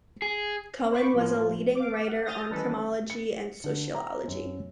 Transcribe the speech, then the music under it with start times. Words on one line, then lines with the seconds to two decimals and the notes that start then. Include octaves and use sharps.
Cohen was a leading writer on Criminology and Sociology.
0.22 G#4
0.91 C5 B5 C#6 D6
1.14 A2 F3 F4
1.75 F5 D6
2.08 F#5
2.25 D#6 F6 G6 A6 A#6
2.51 D#3 E3 G3 C#4 A4 B4
3.10 C#7
3.64 D3
3.95 A#5
4.28 F#2